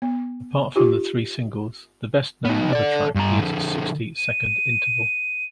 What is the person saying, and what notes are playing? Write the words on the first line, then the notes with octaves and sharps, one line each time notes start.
Apart from the three singles, the best known other track is "Sixty Second Interval".
B3
D#4 F4 G4
B3 D#4
A4 D5
G2 A#5
D3 F3
D#7